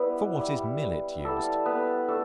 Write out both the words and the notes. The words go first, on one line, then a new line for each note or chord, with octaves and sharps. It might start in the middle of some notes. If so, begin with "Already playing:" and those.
For what is Millet used?
Already playing: G3 B3 E4 B4
G3 E4
G3 B3 E4 A4
B3 B4
A3 D4 A4